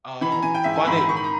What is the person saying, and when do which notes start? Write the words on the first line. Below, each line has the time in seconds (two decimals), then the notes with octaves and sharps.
um, funded
0.21 E3 B5
0.32 A#5
0.43 E3 G#5
0.55 G5
0.64 G#2 E5
0.76 G#5
0.87 G#2 B5
0.97 B5
1.09 D#3 C#6
1.16 B5
1.24 A#5